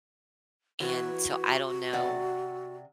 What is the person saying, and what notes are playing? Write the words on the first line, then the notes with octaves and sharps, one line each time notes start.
and so, I don't know
E3 B3 F#4
C3 D5 F#5